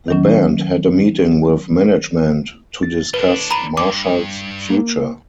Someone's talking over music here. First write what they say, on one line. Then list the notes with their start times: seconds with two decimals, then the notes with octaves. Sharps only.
The band had a meeting with management to discuss Marshall's future.
0.08 D#3 F#3 C#4
2.83 A6
3.14 A2 D4 B4
3.51 A#5 B5 D#7
3.77 G2 D6
4.70 A#3